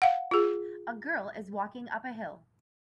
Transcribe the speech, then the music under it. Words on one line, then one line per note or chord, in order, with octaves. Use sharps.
A girl is walking up a hill.
F5 F#5
F4 G#4